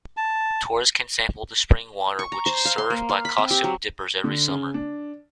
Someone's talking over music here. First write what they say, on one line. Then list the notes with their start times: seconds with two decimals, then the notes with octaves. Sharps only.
Tourists can sample the spring water which is served by costumed 'Dippers' every summer.
0.17 A5
2.19 C#6
2.32 A#5
2.46 C5
2.65 F5
2.78 C6
2.90 A#3
3.09 F5
3.25 B5
3.38 C4
3.51 G4
3.64 F#3
4.24 D3
4.48 C#3
4.74 D4